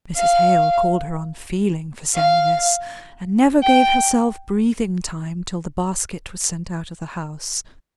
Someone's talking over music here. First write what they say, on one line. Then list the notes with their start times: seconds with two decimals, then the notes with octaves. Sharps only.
Mrs. Hale called her unfeeling for saying this; and never gave herself breathing-time till the basket was sent out of the house.
0.16 F5
2.14 F5
3.62 G5